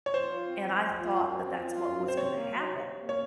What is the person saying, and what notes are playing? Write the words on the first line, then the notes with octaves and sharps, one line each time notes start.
And I thought that that's what was gonna happen,
C#5
F3 C5
F4
C4
F3
F3
F4
F#2
C4
F3
F4
F#2
C4
C5
C3 C#5
A#3
F#3
C3
C3
A#3
C#5